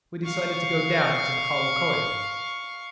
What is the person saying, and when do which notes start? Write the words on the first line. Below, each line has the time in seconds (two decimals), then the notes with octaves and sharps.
We decided to go down into the hull corridors.
0.24 F5 C#6